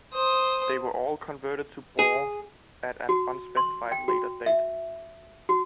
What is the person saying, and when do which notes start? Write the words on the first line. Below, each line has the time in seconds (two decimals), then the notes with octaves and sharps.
They were all converted to bore at an unspecified later date.
0.13 C5 D#6
1.99 G#4
3.09 F#4
3.57 C6
3.92 G5
4.08 F#4
4.46 E5
5.49 F#4